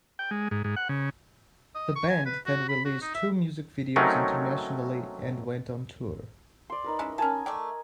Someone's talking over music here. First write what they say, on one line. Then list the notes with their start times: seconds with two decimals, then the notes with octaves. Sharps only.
The band then released two music videos internationally and went on tour.
0.19 G5
0.31 G#3
0.51 G#2
0.64 G#2
0.76 F#5
0.89 C#3
1.75 D#5
1.96 C#6
2.10 G#5
2.26 B4
2.46 F#4
2.69 B5
2.86 F#4
3.02 D#4
3.15 E5
3.96 F#3 A3 C4 C#4 D#4 A#4
6.70 D5 C6
6.84 D#4 A#4 B4
6.99 G#3 C#4 E4
7.18 C#4 A#4 G#5 A5 B5
7.46 A3 D5 G5